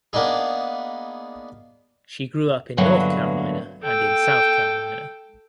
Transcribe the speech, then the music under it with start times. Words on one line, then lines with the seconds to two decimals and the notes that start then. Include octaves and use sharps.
She grew up in North Carolina and in South Carolina.
0.13 A#3 B3 D4 D#4 G#4
2.77 E2 G2 D3 F#3 A#3
3.84 A4 G5